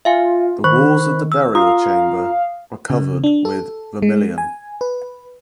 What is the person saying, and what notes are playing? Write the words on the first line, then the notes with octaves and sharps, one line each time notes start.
The walls of the burial chamber were covered with vermilion.
F4 E5 F5 G#5
D#3 C5 B5 C#6 F#6
E6
F4 F5 A#5 D#6
C#3
D4
A4
G#3
G#5
B4